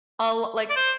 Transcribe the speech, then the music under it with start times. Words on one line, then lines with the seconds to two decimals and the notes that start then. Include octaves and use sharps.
I'll, like
0.70 D5
0.76 C5